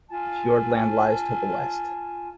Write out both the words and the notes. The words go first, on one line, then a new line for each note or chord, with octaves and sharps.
Fiordland lies to the west.
F4 G#5 A5